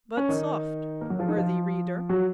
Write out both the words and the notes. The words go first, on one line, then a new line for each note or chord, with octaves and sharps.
But soft, worthy reader!
C#4
D#3 D#4
A#3 A#4
F#3 F#4
F3 F4
D#3 D#4
F3 F4
F#3 F#4